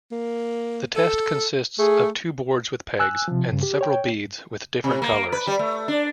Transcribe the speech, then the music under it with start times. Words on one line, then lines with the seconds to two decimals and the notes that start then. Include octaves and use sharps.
The test consists of two boards with pegs and several beads with different colors.
0.12 A#3
0.96 A4
1.79 A3 G#4
2.99 G#5 E6 F#6
3.28 C3 F3
3.51 G2 C#3
3.63 G4
3.81 C#5 G5
4.84 C3
5.02 A#3
5.32 B4
5.47 G3
5.59 A3
5.88 D4